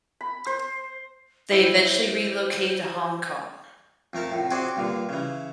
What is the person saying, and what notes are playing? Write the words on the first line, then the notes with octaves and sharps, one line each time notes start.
They eventually relocated to Hong Kong.
B5
C5
E4 C5
F2 A3 A#4 A5
F2 A2
C4 F#4 G#4 C5 D5
G2 A#2 D3
C#3 E3